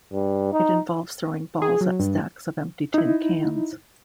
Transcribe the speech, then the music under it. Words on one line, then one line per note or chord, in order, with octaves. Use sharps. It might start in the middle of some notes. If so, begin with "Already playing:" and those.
It involves throwing balls at stacks of empty tin cans.
G2
D#4
G#4
F#3
G2
D#4 E4